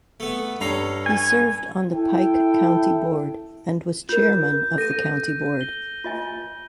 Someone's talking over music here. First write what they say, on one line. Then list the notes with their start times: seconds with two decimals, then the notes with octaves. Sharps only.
He served on the Pike County Board and was chairman of the county board.
0.20 A3 B3
0.61 G2 C#4 A4 A#5 C7
1.06 G#5
1.93 E4 A4 G5
4.09 F4 A#4 G6
4.78 A4 A#6 D#7
5.61 G7
6.04 F4 D#5 G#5